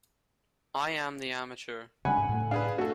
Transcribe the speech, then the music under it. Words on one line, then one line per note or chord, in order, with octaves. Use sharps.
I am the amateur.
C#3 G3 D4 F#5 G#5 B5
G#2
A2 A3
D4 G#4 B4 F5
A3 F#4 A4